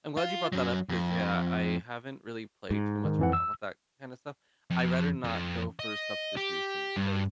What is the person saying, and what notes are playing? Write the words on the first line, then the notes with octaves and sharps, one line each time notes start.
I'm glad you brought that up ‘cause, yeah, I haven't really played too much around with that kind of stuff. I'd rather not go for substitution, because,
F4
F#2 F#3
F2
G#2
D#3
F2 E3 F#5
E6
F2
F2
D#5
G4
G2